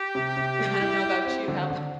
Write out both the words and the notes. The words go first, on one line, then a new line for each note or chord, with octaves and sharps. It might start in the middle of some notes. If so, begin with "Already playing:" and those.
I don't know about you, how about
Already playing: G4
C3
C3
G3
E4
E4
C4
D3
D3